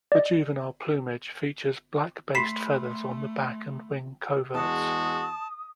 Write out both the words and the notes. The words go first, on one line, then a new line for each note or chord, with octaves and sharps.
The juvenile plumage features black-based feathers on the back and wing coverts.
D5 D#5
A3 B5 C6 B6 C7 E7
E2 G#3 F#4 A5 D#6